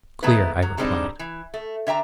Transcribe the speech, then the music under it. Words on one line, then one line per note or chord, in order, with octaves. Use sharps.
"Clear," I replied.
D#3 A3 B3 E4 G#4 B4
F#3
D3 G3 G#3 C4 D4 D#4
E3
A3
D3 E5 G5 A#5